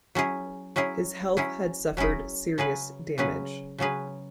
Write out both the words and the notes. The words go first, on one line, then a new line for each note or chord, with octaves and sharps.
His health had suffered serious damage.
F#3 C#4 E4 G#4
F#3 C#4 E4 G#4
F#3 C#4 E4 G#4
F#3 C#4 E4 G#4
C#3 F#3 C#4 G#4 B4
C#3 F#3 C#4 G#4 B4
C#3 F#3 C#4 G#4 B4